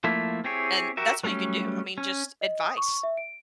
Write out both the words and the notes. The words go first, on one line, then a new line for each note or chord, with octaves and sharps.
and, that's all you can do, I mean, just advice.
F3 A3 A#3 E4
C4 E4 G4 G#4 C#5
F#4 G4 A#4 E5
F#3 G3 A3 C#4
C#4
D#5
D#6
C#6
E5
D7